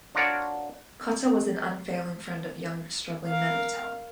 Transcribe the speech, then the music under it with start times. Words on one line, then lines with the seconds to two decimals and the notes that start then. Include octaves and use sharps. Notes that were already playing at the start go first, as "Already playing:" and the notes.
Cotta was an unfailing friend of young struggling men of talent.
0.15 D4 F4 F#4 A#4 C#5 D5
3.27 A#4 F5